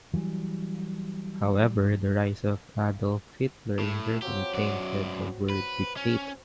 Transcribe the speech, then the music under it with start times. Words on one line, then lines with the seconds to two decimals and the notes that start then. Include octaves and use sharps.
However the rise of Adolf Hitler in Germany tainted the word 'dictator'.
0.14 E3 F#3 G3
3.79 A2
4.22 F#3 C4 F4 G4
4.54 F#2 D5 F#5
5.50 B4
5.97 C#4